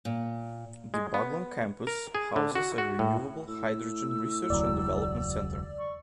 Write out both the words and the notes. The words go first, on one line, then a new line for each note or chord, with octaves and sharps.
The Baglan campus houses a Renewable Hydrogen Research and Development Centre.
A#2
G#3
B3
A#4
G#4
D3
F#4
F#4
A2
A2 E6
E1 C#2 F#3 D5
C#6